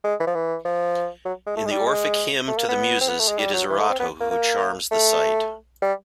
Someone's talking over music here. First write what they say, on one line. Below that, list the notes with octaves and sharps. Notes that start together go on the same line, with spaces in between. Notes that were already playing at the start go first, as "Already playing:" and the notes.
In the Orphic hymn to the Muses, it is Erato who charms the sight.
G#3
E3
F3
E3
F3
F#3
G#3
A3
G#3
G3
G#3
A3
A#3
B3
C4
B3
A3
G#3
G3
F#3
E3
A3
C4
B3
A#3
A#3
A3
G3